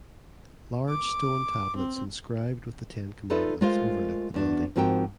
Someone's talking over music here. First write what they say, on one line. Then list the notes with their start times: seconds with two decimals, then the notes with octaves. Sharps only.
Large stone tablets inscribed with the Ten Commandments overlook the building.
0.89 D6
1.76 C4
3.30 D#4 F4 A4 B4 D5 E5
3.61 G#3 A3 F4 A#4 C5 F5
4.34 E2 D4 F#4
4.76 G#2 F3 C4 F#4 A#4 G5